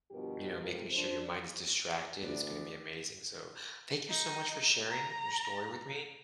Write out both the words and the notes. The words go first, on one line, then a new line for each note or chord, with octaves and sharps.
you know, making sure your mind is distracted is gonna be amazing. So, thank you so much for sharing your story with me.
G2 B2 F3 G4 A#4
F2 C3 G#3 A#4
F3 D4 C5
D2 B3 D4 D5
D#4
A#5